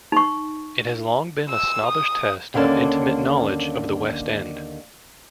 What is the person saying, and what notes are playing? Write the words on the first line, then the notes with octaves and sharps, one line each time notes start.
It has long been a snobbish test of intimate knowledge of the West End.
D#4 C#6
E6
D#6
D#2 D3 A#3 C#4 A5